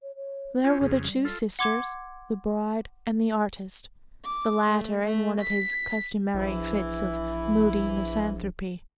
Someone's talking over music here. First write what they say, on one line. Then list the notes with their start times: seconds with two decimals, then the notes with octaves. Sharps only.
There were the two sisters, the bride, and the artist--the latter in one of his customary fits of moody misanthropy.
0.02 C#5
0.16 C#5
0.64 C4 C#4 F4
0.81 F2 C#3 G#4
1.00 G3
1.25 F4 A4
1.59 F#5 C6 D6 G#6
4.25 D6
4.71 A3
5.04 A3
5.41 B6
6.34 A#1 E3 E4